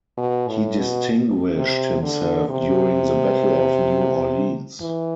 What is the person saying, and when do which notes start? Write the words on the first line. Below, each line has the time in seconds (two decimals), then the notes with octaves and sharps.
He distinguished himself during the Battle of New Orleans.
0.18 B2
0.49 A2
0.79 B2
1.56 C3
2.03 D3
2.49 C3
4.80 E3